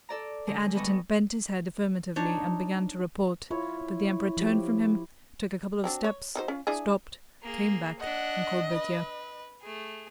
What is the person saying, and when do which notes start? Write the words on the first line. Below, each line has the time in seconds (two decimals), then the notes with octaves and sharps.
The adjutant bent his head affirmatively and began to report, but the Emperor turned from him, took a couple of steps, stopped, came back, and called Berthier.
0.09 A4 D5 A#5
0.47 D3 G#3 D4 D#5
0.74 G#2 G3 B3 A4 D#5 C#6
2.16 D4 D#4 C#5
3.51 E4 F4 C#5
4.37 F3 G4
5.84 F#3 C4 D4
6.04 C#5
6.35 F#3 D#4 C5
6.48 C#4 F4
6.67 D4 E4 G#4
7.43 A#3 G#4
7.99 D4 D#5 F#5
8.71 B4
9.61 A3 G#4